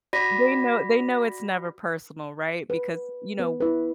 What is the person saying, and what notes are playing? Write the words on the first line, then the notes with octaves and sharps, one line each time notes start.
They know they know it's never personal, right? Because, you know
F#4 D5 B5 A#6 B6
B4
B3 B4
E4 B4